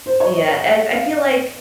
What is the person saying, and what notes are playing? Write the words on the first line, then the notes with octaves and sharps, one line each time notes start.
Yeah, I I feel like
C5
C#5
D#5
F5